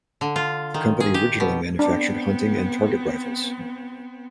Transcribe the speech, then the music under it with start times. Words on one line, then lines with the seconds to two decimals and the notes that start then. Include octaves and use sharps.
The company originally manufactured hunting and target rifles.
0.21 D3
0.36 F4
0.74 D#3
1.00 G#4
1.14 G4
1.40 B2
1.79 B3 C4 D4